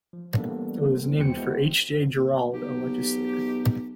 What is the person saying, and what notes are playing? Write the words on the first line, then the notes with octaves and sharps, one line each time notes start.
It was named for H. J. Jerauld, a legislator.
F3
E3 G3 A#3 B3 A4
E2 G#3 F#4 C5 G5 C#7
G#3 B3 E4 F#4 C5
B1 G4